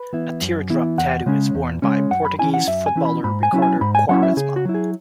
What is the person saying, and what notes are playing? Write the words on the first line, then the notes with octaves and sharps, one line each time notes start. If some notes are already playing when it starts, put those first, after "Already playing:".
A teardrop tattoo is worn by Portuguese footballer Ricardo Quaresma.
Already playing: B4
E3 B3 E4
F#2
E3 B3 E4
E2 F#5
C#3 G#3 C#4
E2
C#3 G#3 C#4
F#2 F#5
B5
E3 C#4 E4 G#5
F#5
F#2 E5
G#5
E3 C#4 E4
B5
G#2 B5
G#5
F#3 C#4 E4
G#5
G#2 B5
G#5
F#3 C#4 E4 F#5
E5
C#3 G#4
F#4
F#3 E4
G#4